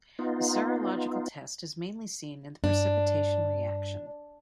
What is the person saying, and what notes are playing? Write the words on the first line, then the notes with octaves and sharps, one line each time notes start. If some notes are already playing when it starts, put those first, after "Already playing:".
The serological test is mainly seen in the precipitation reaction.
B3 D#4 F4
G2 D4